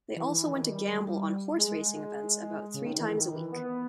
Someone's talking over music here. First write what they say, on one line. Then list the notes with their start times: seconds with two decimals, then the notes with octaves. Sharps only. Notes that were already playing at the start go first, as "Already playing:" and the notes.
They also went to gamble on horse racing events about three times a week.
0.16 E3
0.34 E3
0.51 D#3
0.69 G3
1.57 G#3
2.74 C#3
2.86 D#3
2.98 E3
3.16 D#3
3.34 E3
3.52 B3